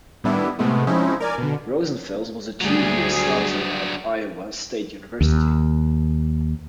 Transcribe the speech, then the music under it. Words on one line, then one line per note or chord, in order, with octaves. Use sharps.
Rosenfels was a two-year starter at Iowa State University.
A2 D#3 G3 B3 D4 E4
A2 C3 G#3 A3 B3
F3 G#3 C4 C#4 D#4 E4
A#4 D5 G#5
B2 D3
D2 F#3 G3 D4 G#4
D#2